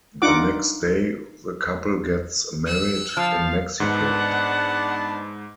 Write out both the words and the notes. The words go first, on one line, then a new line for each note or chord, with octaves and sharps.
The next day, the couple gets married in Mexico.
D4 D#4 F4 F#5 D6
E6 F#6
F3 F5 A5
G#2 B3 D4 F#5 A5